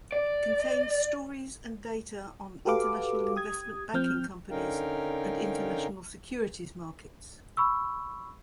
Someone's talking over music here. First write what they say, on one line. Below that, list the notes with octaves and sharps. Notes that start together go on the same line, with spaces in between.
It contains stories and data on international investment banking companies and international securities markets.
D5
F#4 G4 A4 B4 F5 D6
G4 D#6 G#6
F3 C4 F6 G6
D3 C#4 D#4 A#4 F5 G5
B5 C#6 E6